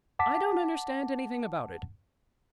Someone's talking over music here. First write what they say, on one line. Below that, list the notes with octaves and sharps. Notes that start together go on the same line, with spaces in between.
I don't understand anything about it.
F#5 A5 D6 B6